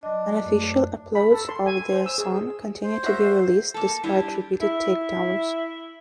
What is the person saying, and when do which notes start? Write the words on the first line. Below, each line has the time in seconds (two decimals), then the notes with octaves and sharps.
Unofficial uploads of the song continue to be released despite repeated takedowns.
0.03 F#3 D4 D#5
0.45 F#2 A3 C#5
1.15 B5
1.31 A4
1.49 C6
1.66 G#5
1.93 C5
2.06 E6
2.18 G#4
2.81 C5
3.04 F#4 E5
3.74 A#3 A4
4.03 G3 D4 E4 G4
4.61 E4